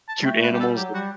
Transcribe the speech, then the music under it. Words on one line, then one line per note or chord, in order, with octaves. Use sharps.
cute animals tha
A5
G3
A3 G5
B4
G3 G4
A4
F#3 G4
G3 F#4